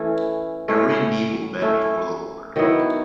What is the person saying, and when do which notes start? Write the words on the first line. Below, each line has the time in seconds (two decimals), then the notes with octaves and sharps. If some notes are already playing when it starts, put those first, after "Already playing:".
Every knee will bend before the Lord.
Already playing: E3 A3 C#4 E4
0.68 A3 C#4 E4
1.62 A3 C#4 E4
2.56 D#3 F#3 B3 E4